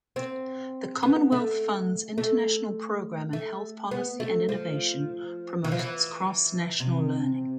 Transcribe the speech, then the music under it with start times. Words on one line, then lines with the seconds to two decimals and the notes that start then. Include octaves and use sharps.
The Commonwealth Fund's International Program in Health Policy and Innovation promotes cross-national learning.
0.16 C4
1.03 B3
1.32 A3
2.18 A3
3.33 A3
3.91 B3
4.20 A3
4.49 F3
5.64 E3
5.72 F3
5.79 E3
6.80 C3